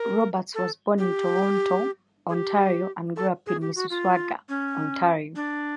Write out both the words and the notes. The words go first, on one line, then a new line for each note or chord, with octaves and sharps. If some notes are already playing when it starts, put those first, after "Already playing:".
Roberts was born in Toronto, Ontario and grew up in Mississauga, Ontario.
Already playing: A#4
A4
G4
G#4
G4
A4
G#4
G4
F#4
F4
C#4
D4